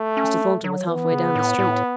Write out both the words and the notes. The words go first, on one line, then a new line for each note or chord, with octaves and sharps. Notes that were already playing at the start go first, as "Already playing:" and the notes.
Mr. Thornton was half way down the street.
Already playing: A3
C#4
F#3
E3 B3
C#3
A2
A2